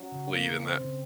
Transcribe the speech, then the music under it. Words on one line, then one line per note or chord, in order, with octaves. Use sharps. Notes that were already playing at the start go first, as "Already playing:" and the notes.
lead in that
Already playing: F#3 C#4
C#3
A3 A#3
C#3
C4 C#4
C#3